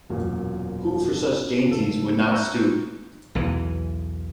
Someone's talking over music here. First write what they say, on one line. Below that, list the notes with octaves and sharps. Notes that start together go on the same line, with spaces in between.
Who for such dainties would not stoop?
E1 F#2 A#2
A4
F#1 A4
A#5 C#6 E6 F#6 G6
B1 E2 E3